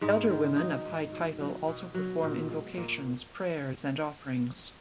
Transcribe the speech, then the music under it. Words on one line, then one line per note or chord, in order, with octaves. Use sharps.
Elder women of high title also perform invocations, prayers, and offerings.
G#2 G#3
D#3
F#3 D#4
G#2
B2
F#3
B2
F#3
A#2
G#3
A#2 G#3 A#3